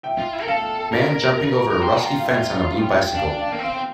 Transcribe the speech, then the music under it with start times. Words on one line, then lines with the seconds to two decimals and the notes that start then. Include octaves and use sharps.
Man jumping over a rusty fence on a blue bicycle.
0.03 E5 G5
0.18 F4
0.33 E4
0.42 A#4
0.47 A4 F5 A5
0.92 A#4
1.70 A#4
1.81 C5 G5 A#5
2.03 F4 G5 A#5
2.19 F5
2.25 E5 G5
2.70 F5
2.81 G5
2.94 F5
3.05 G5
3.15 D4 F5
3.28 G5
3.40 F5
3.51 A#3 G5
3.59 C4 F5
3.74 G5